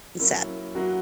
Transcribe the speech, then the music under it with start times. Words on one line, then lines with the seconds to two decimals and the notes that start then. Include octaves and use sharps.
It's sad.
0.19 F#3 A#3 C#4 E4
0.75 F#3 A#3 C#4 E4 F#4